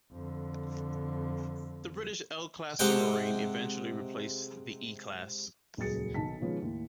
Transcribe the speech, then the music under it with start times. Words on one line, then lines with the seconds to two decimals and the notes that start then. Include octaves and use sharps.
The British L class submarine eventually replaced the E class.
0.13 F2 D3
2.79 C3 G#3 F#5 G5
5.77 D#1 C#2 F#3 G#4 A6 C#7
6.14 B1 D#3 A5 B6
6.41 B2 D#3 F3 G#3 C#4 B4
6.62 D#2 A2